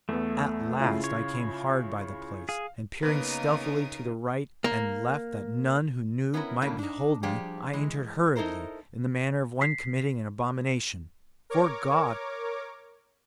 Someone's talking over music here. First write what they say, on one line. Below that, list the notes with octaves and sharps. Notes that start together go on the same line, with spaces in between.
At last I came hard by the place, and peering stealthily to the right and left that none who knew might behold me, I entered hurriedly, in the manner of one committing an abomination. 'Fore God!
E2 A3 B3
C#3 E4 F4
C#5
G#4 F5
C#3 A#3 B3 D#4 A#4 B4 D#6
A#3
B3 C#4 E4 A4 A#4
A2 C#3 A#3 C#4 D4
D4 D#4
F3 G3 D4 G4 G#4
E3 G#3
D#4 E4 A4 A#4 C5
B6 C7
A#4 C#5 D6